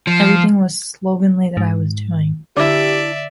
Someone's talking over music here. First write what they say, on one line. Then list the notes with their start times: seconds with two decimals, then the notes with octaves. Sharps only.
Everything was slovenly that I was doing.
0.07 F3
1.57 G#2
2.57 D3 D4 E4 G4 D5 E5 D6